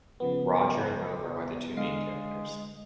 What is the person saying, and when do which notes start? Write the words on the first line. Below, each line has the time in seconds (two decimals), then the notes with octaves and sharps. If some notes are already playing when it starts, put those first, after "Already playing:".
Roger and Rover are the two main characters.
0.20 C#3 F3 B3
1.77 D3 G#3 F5 C7